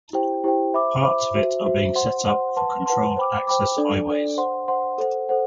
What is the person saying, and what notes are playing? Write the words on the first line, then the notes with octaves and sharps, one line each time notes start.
Parts of it are being set up for controlled-access highways.
E4 G4 C5 G5
E4 G4 C5 G5
C5 E5 B5 D6
C5 E5 B5 D6
F#4 C5 E5
F#4 C5 E5
C5 F#5 C6
C5 F#5 C6
B4 F#5 A5 C6
B4 F#5 A5 C6
C5 G5 B5 D6
C5 G5 B5 D6
D4 A4 D5
D4 A4 D5
C5 F#5 C6
C5 F#5 C6
A4 C5 F#5
A4 C5 F#5